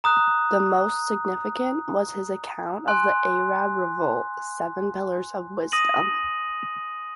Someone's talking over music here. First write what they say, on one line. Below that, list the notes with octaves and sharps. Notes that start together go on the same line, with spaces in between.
The most significant was his account of the Arab Revolt, "Seven Pillars of Wisdom".
A#5 D#6 F#6
G#5 C6 F#6
D#6 A#6 D#7 F#7